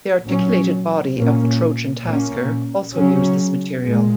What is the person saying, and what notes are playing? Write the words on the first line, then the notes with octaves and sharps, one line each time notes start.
The articulated body of the Trojan Tasker also used this material.
A#2 F#3 C#4
A#2 A#3 C#4
A#2 A#3 C#4
C#3 F#3 C#4
A#2 G#3